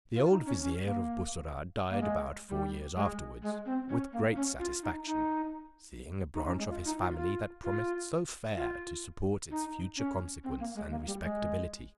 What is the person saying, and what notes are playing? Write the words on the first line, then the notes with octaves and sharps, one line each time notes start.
The old vizier of Bussorah died about four years afterwards with great satisfaction, seeing a. branch of his family that promised so fair to support its future consequence and respectability.
F4
D#4
C#4
C#4
A#3
A#3
G#3
G3
G#3
G#3
C4
C#4
A#3
C#4
F4
D#4
D#4
D#4
C#4
G#3
F4
D#4
F4
F4
F4
F4
D#4
C#4
C4
A#3
G#3
A#3
G3
G#3